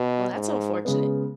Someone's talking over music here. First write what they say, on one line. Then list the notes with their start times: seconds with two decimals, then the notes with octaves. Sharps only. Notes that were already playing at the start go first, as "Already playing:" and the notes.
well, that's unfortunate.
Already playing: B2
0.34 G#2
0.85 C#3 G#3 B3